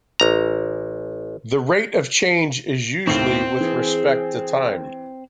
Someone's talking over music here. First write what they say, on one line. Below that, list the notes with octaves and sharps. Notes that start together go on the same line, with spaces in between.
The rate of change is usually with respect to time.
A1 A#5
D#2 A2 C4
E3 G#4